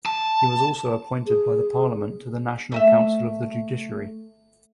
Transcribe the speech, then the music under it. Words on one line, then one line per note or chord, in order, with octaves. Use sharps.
He was also appointed by the parliament to the National Council of the Judiciary.
A5
G#4
A3 D#5 E5